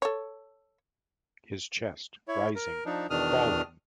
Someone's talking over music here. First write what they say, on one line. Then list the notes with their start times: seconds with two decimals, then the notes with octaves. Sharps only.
His chest rising, falling.
0.02 A4 C#5
2.28 E4 C#5
2.56 A#4
2.86 F3 D4 D#4
3.10 E2 B2 D#3 D4 D#6 F6